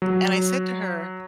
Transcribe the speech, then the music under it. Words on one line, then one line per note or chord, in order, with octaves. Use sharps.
And I said to her,
F#3